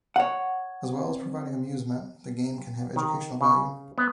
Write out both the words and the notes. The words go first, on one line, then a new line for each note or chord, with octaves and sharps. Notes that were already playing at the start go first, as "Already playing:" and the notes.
As well as providing amusement, the game can have educational value.
C#5 F#5
C4
D#3
C#3
B3